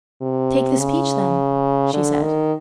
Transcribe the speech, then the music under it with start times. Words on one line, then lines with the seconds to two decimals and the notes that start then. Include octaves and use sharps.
"Take this peach, then," she said.
0.21 C3
0.79 C#3
1.93 D3
2.22 D#3